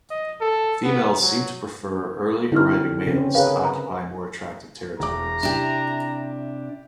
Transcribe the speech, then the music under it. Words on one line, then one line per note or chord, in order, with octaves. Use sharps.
Females seem to prefer early arriving males that occupy more attractive territories.
D#5
A4
B3
F#3
D3 C4 D#4 E4 G4 F6
C#3 C4 C#4
G#4 A#4 B4 C#5 F5
A#5
E1 A#5 D6
C3 D4 E4 G4